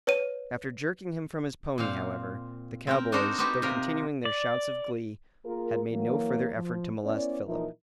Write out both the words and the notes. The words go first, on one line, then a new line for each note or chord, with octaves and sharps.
After jerking him from his pony, however, the cowboys, though continuing their shouts of glee, had made no further effort to molest Philip.
B4 C#5 D#7
A#2 C4 F5
C4 A#4 G5
D4 D#4 F#4 A4 A#4 C5
B3 C4 D#4 F#4 G4
C3 F4 A#4
D5
A#3 F4 G#4 A#4
E3 F#3 A#3
F3
B3 C#4 E4 D5
A#2 E3 F3 D#4 E4 A#4